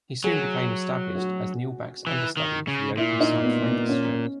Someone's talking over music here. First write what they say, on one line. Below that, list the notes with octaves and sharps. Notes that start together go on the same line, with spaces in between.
He soon became established as Neil Back's understudy for the openside flanker shirt.
F#3 G#4
F#4
E3
D#3
C#3
A#2 E4
D#4
B3
B3
C#4